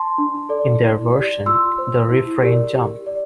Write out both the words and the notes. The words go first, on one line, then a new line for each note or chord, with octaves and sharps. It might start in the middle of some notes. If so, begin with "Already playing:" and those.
In their version, the refrain Jump!
Already playing: A5 C6
D4
A4 D5
E4
G4 D5
F4 C6 E6
C5
E4
G4 A#4 D5
G4
D5